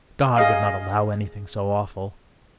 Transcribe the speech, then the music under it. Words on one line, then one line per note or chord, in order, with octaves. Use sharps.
"God would not allow anything so awful!"
G#4 D#5 F5